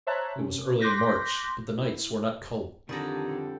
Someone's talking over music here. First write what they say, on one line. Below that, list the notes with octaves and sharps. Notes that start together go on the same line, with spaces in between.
It was early in March, but the nights were not cold.
C5 C#5 E5 A5 A#5 F#6
C3 C#4
C6 D6 F#6 G6 A#6 B6
E4
F2 D3 D#3 G3 G#4 A4 A#5